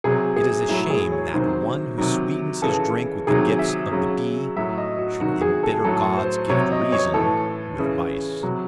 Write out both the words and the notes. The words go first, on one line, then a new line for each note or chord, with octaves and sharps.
It is a shame that one who sweetens his drink with the gifts of the bee, should embitter God's gift Reason with vice.
C3 F#3 G#4
G#4
A2 F#3 E4
G#4
C#5
C3 D#3 F#3 C5
C3 D#3 F#3
C#3 E3 A4
C3 D#3 F#3 G#4
E5
C#3 F#3
A2 F#3 E5
D#5
F#4
C3 D#3 F#3 F#4
G#4
A4
A2 F#3 A4
C5
C3 F#3 C#5
D#5
C#5
A2 E3 A4
C#3 E3
C3 F#3